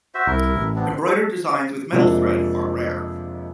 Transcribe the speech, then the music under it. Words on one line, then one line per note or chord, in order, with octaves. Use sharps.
Embroidered designs with metal thread are rare.
F#4 C5 E5
C2 E4 A#4
A1
B3 C4 D4
F2 C3 F3 G#3 A#3 D4